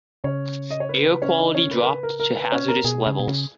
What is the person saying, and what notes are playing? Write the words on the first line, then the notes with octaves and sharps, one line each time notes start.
Air quality dropped to hazardous levels.
C#3 C#4 C#5
D#5
C#5
B4
B4
C#4 C#5
D#4 D#5
C#4 C#5
B4
A#4
B4
A#4
A#4
B4
C#4 C#5
A#4 A#5
B2 G#4 G#5
C#3
B2
C#3